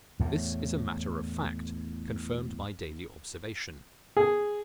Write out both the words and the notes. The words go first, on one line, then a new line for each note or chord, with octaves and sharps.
This is a matter of fact, confirmed by daily observation.
E2 A2
G#4